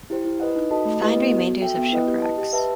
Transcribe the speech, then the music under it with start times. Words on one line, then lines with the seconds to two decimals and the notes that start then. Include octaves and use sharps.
Find remainders of shipwrecks.
0.10 E4 G4 C5
0.25 E4
0.40 B4 D#5 F#5
0.56 D#4
0.70 F#4 A4 D#5 A5
0.85 A3
1.01 E4 G4 B4 D#5
1.16 B3
1.31 F#4 A4
1.46 F#4
1.62 A4 E5 G5
1.77 B3
1.92 E4 B4 D#5 F#5
2.07 G4
2.23 D#5 A5
2.38 G4
2.53 B4 E5 A5